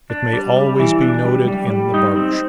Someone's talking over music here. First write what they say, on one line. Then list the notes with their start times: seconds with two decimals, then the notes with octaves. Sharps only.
It may always be noted in the barber shops.
0.10 D4
0.33 G3
0.56 G3
0.80 E3
1.02 D4
1.24 G3
1.48 G3
1.70 G3
1.94 D#4
2.16 C4